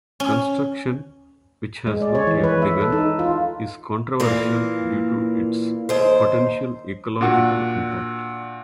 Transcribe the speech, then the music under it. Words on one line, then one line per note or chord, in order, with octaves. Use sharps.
Construction, which has not yet begun, is controversial due to its potential ecological impact.
C#4
G#3
D5
C#5
E3
B4
E5
A4
D#4
F4
A#2 E3 A#3
D#2 C5
A#2 D4 F#4 F#5